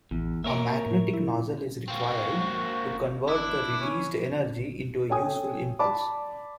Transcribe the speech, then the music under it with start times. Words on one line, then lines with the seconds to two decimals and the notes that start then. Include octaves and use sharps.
A magnetic nozzle is required to convert the released energy into a useful impulse.
0.11 A1 E2
0.44 A#3 A#4 C#5 E5
0.86 A2
1.14 E4
1.88 A#3 C4 F#4
3.28 D4 E4
3.81 C#4
5.09 A4 C#5 G5 G#5 D#6
5.79 D5 A5 B5 D6